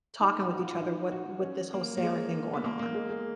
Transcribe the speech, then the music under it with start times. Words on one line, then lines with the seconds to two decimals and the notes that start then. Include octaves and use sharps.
talking with each other what with this whole Sarah thing going on.
0.20 D#4
0.41 F#4
0.53 F#4
0.60 F4
0.73 F4
0.81 D#4
1.12 F#4
1.42 C#4
1.73 A#3
1.97 A#3
2.03 G#3
2.54 B3
2.64 A#3
2.79 A#3
2.94 G#3
3.09 G#3